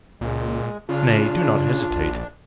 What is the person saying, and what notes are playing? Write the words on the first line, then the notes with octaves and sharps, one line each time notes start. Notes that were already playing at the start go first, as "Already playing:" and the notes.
Nay, do not hesitate.
C#2 A#2 G#3
C#3 D4 F4
A#1